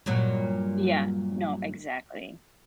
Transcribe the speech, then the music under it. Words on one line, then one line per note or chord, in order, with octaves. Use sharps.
Yeah, no, exactly.
G2 A#2 F#3